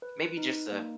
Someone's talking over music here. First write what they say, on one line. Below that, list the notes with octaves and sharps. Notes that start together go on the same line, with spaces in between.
maybe just a
B4
D#4
A#3